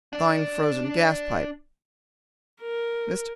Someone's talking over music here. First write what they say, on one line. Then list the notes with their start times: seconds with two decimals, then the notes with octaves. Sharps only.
Thawing Frozen Gas Pipe.--Mr.
0.13 D4 D5
2.62 A#4